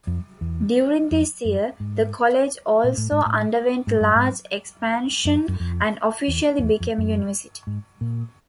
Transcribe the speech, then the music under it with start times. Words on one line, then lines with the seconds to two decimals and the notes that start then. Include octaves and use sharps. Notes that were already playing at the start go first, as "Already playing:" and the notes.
During this year, the college also underwent large expansion and officially became a university.
0.07 F2
0.41 E2
1.11 F2
1.45 F#2
1.80 G#2
2.84 A#2
2.97 A2
3.12 G#2
3.26 A2
3.87 G#2
4.01 G2
4.15 G#2
5.25 F#2
5.48 F#2
5.60 F2
6.28 E2
6.59 F2
6.63 E2
6.80 F2
6.98 F#2
7.67 G#2
8.01 A#2